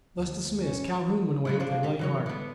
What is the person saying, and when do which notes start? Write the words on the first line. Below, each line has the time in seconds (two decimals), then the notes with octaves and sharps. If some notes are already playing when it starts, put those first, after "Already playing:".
Thus dismissed Calhoun went away with a light heart.
0.19 D#2
0.60 C#4
1.45 F#3 G#3 E4
1.60 F3 D4 C5
1.83 C4 G4
1.99 E3 F#3 C#5
2.26 D3 B3